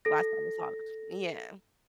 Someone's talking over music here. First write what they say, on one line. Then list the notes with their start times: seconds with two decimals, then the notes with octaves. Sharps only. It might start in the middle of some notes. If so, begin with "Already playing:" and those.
last time we talked. Yeah.
0.05 A4 A#6